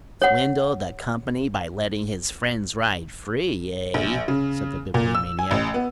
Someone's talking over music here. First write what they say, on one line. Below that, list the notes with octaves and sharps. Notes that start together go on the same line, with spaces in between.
"Swindled the Company by letting his friends ride free, eh?" said the Bibliomaniac.
C#5 F#5
A#1
C#3
A#2
E6
G#5
A1
B3